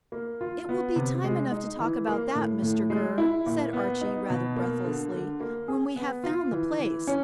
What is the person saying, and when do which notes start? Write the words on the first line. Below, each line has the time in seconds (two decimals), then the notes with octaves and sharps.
"It will be time enough to talk about that, Mr Gurr," said Archy rather breathlessly, "when we have found the place."
0.12 A#3
0.41 F4
0.69 B3
0.96 C3
1.24 G#3
1.51 D#4
1.79 E3
2.08 A#3
2.35 A2
2.62 A2
2.90 G#3
3.18 E4
3.46 A#2
3.73 B3
4.01 D#4
4.30 B2
4.56 A#3
4.85 D3
5.12 D3
5.40 A#3
5.68 G#4
5.96 B3
6.24 F4
6.51 E3
6.79 E3
7.07 C#4